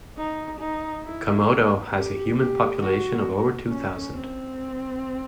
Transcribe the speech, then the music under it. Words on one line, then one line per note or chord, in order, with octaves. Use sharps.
Komodo has a human population of over two thousand.
D#4
D#4
E4
G4
G4
F#4
C#4
C4